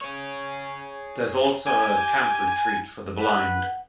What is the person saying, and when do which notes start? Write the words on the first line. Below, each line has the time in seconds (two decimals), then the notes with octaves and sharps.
There is also a camp retreat for the blind.
0.01 G#4 C#5
1.67 G4 G#5
3.19 B4 F#5